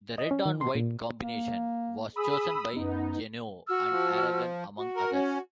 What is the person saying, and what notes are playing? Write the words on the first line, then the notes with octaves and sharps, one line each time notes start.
The red-on-white combination was chosen by Genoa and Aragon, among others.
D#5
C#4
D#3
C6
A#2
A#3
G#4 B5 D#6 E6
F#2 B3 D#4
F#4 E6 F6
F3
F#4
A#4
C#4